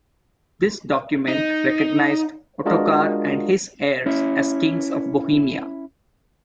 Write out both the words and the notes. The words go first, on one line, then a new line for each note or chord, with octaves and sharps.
This document recognised Ottokar and his heirs as Kings of Bohemia.
D#4
G#3 D4 F4 F#4 A#4 D#5
C#4 E4